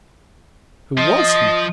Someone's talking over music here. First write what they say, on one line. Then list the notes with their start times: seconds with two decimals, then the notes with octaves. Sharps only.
Who was he?
0.97 F3 D#5